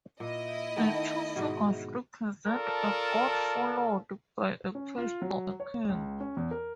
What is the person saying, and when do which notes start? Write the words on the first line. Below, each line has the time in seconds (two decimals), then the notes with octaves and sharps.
The two figures represent a god followed by a priest or a king.
0.20 A#2 E4 D#5
0.76 D#3 A3 B3
1.36 G#2 B2
2.47 F4 A4 A#4 D5 A5
4.75 C#4
4.97 F4
5.22 F#3
5.60 C#5
5.89 C#2
6.20 C#4
6.37 E2
6.51 A#4